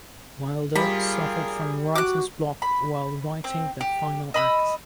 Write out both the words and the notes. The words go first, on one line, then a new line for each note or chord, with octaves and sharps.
Wilder suffered from writer's block while writing the final act.
G3 F4 G#4 A#4 B5
F#4 D6 F#6
B5
C4
G4
D#5 B5 E6